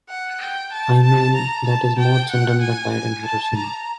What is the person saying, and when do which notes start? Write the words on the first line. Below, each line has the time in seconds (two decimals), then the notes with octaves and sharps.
I mean, that is more children than died in Hiroshima.
0.09 F#5
0.41 G5
0.72 A5
1.03 A5
1.35 A#5
1.67 A5
1.98 G5
2.30 F#5
2.61 G#5
2.93 G#5
3.25 A5
3.56 A#5